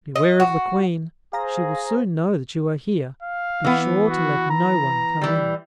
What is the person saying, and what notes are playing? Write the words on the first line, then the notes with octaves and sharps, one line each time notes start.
"Beware of the Queen; she will soon know that you are here; be sure to let no one come in."
D#5
F#4
G#4 C5 F5 A#5 A#6
F5
E3 B3
F#4
A#5
E3 G3